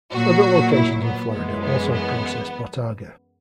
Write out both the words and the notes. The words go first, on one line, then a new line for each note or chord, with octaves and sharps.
Other locations in Florida also process bottarga.
A#2 F#3 F#4
E4
B3
F#2 E3 G#3 B3
B3
B3